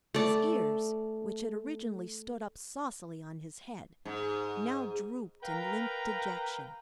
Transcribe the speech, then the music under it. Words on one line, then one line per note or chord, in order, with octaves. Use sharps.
His ears, which had originally stood up saucily on his head, now drooped in limp dejection.
A3 D5
G#2
A#4 B4 F5 G5 A#5